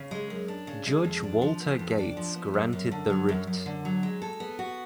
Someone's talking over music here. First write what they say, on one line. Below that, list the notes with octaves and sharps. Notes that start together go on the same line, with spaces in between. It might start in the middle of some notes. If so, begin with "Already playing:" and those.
Judge Walter Gates granted the writ.
Already playing: C#3
G#3
F#2
D4
C#3
G#3
F2
D4
F3
B3
F2
D4
F3
B3
F#2
F#2
D3
F#3
F#2
F#2
D3
F#3
G#3
A4
B3
F#4